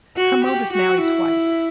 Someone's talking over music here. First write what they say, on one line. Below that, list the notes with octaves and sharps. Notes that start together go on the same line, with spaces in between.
Kermode was married twice.
F#4
G4
F#4
E4